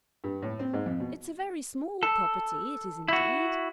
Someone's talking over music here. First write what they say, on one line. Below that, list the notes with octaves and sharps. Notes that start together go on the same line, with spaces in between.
It's a very small property, it is indeed.
G2
A2
C4
G#2
F2
B2
A4
E4 F#4